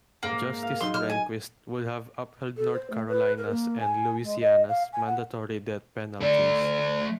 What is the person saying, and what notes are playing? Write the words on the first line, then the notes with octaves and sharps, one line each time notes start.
Justice Rehnquist would have upheld North Carolina's and Louisiana's mandatory death penalties.
G#2 A#3
F5
F#3 D#4 C6
F6
G#5
A4
C5
A3
B4
A#4
A#3
G#5
G#3
D#5
F5
G#5
F#5
A3 D5